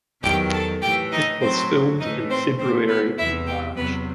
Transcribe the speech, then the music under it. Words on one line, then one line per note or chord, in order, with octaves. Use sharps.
It was filmed in February and March.
E2 D#3 F#3 G4 G5
A4 A5
A2 E3 G4 G5
D#4 D#5
A2 F#3 C4 C5
A2 E3 D#4 D#5
C4 C5
A2 E3 C4 C5
B3 B4
E2 C3 E3 E4 E5
G4 G5
E2 C3 F#3 B3 B4